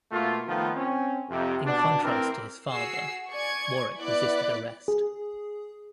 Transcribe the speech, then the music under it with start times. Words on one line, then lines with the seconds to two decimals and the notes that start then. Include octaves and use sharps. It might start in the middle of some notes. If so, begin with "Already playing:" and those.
In contrast to his father, Warwick resisted arrest.
0.12 B2 A3 A#3 F4
0.47 D#3 F3 A3 B3 F4
0.76 C4 C#4
1.30 F2 C3
1.65 B2 D4
2.04 A1 E3 C4 A#4
2.68 F#4 G#4 E6 C7
3.30 D5 G#5 C#6 G#6
3.98 B3 E4 D5 B5 F#6
4.88 G#4